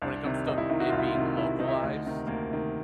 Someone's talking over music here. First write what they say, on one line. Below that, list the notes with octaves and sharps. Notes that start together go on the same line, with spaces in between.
when it comes to it being localized,
C2 D4
C3 D#3
C2 D#4
E4
C3 D#3 E4
F#4
C2 F4
E4
F4
C3 D#3
C2 E4
C3 D#3 D#4
E4
D#4
D2
C3 D#3
D2 A#3
C3 D#3